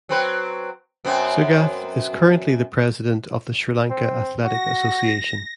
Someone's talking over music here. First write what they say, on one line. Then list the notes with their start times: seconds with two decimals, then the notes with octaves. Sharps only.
Sugath is currently the President of the Sri Lanka Athletic Association.
0.09 F#3 C4 B4
1.05 F#2 B3 C4
3.90 C4
4.45 F#4 A#6